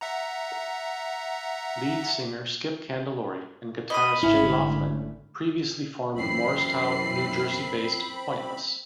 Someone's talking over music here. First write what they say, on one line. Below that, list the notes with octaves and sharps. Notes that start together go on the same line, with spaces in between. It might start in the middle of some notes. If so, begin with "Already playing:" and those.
Lead singer Skip Candelori and guitarist Jay Laughlin previously formed Moorestown, New Jersey-based Pointless.
E5 F#5 A#5
D#5 B5 D#6
G#1 D3 A3 C#4 E4
F#2 E3 C4 B5 C7